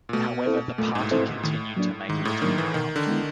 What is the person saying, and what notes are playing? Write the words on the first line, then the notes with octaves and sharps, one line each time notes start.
However the party continued to make little ground.
A#2
B2 A3
C4 E4 A4 C5
A#2 A3
G#2
A2
C4 E4 A4 C5
A2
A2 D#3
F#3 A#3 D4
G#2 D#3
A2
D#3 F#3 A#3 D4
E3
B2 D#3
D3
G#3 B3 E4